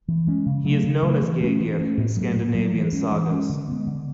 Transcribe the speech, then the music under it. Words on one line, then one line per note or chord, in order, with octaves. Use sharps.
He is known as Gyrgir in Scandinavian sagas.
E3
G#3 C#4
C#3
F#3 A3
C#3
F#3 A3
E3
A3 C#4
E3
A3 C#4
A2
F#3 A3
A2
F#3 A3
E3
G#3 C#4
E3
G#3 C#4
D3
G#3 B3
D3